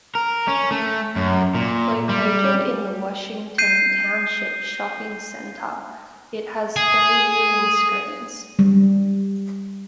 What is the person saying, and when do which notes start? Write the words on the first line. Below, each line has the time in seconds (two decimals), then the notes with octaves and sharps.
Located in the Washington Township Shopping Center, it has three viewing screens.
0.15 A#4
0.48 C#4
0.71 A3
1.16 F#2
1.54 A#2
2.09 G3
3.58 G6 C7 D#7
6.76 G#4
8.59 G3